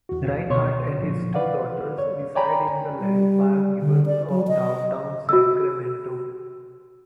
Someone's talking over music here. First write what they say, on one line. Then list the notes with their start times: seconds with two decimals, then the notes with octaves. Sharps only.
Rinehart and his two daughters reside in the Land Park neighborhood of Downtown Sacramento.
0.09 E2 F#4
0.49 C#2 B2 C#5 C6 C#6
0.98 A#2 F3
1.34 B4 D5 F5 F#5
1.98 C#5
2.35 C#5 D5 G5 G#5 A#5 B5
3.00 G3
3.81 D3
4.06 D5
4.30 F#3
4.48 D#5
5.29 F#4 E6